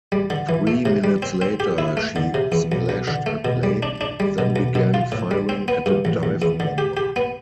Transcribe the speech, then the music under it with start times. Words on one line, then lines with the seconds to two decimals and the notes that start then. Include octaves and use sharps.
Three minutes later, she splashed a plane, then began firing at a dive bomber.
0.12 G3
0.30 D3
0.49 E3
0.67 A3
0.85 C3
1.04 G3
1.22 C4
1.42 C4
1.60 G4
1.78 E4
1.97 A3
2.16 D3
2.34 C3
2.52 E2
2.72 B1
2.89 B1
3.08 D3
3.26 A3
3.45 B2
3.63 G3
3.83 D4
4.01 D4
4.20 G3
4.38 B2
4.56 B1
4.75 B2
4.94 F4
5.12 A2
5.31 G3
5.49 C4
5.68 B3
5.86 G2
6.05 A1
6.23 A1
6.42 E2
6.60 D3
6.78 G4
6.97 G4
7.16 B3